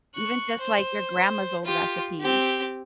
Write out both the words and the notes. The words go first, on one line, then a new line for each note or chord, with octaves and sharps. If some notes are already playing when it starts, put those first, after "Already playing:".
Even just, like, your grandma's old recipe.
C#6 F#6
C5
F4 G4
C4 G4